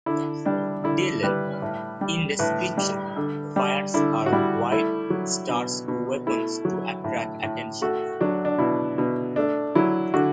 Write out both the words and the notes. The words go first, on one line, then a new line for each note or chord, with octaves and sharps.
Delenn, in desperation, fires her White Star's weapons to attract attention.
D3 E4
G3 D4
D3 E4
G3 B4
A2
G3
A2 B4
G3
D3
G3
D3 E4
F#4
G3 E4
A3 E4
F#3
B2
B2
A3 E4
F#3
A2
A2
A3 F#4
F#3 D4
D4
B2 E4
B2
A3 D4
F#3 E4
D3 F#4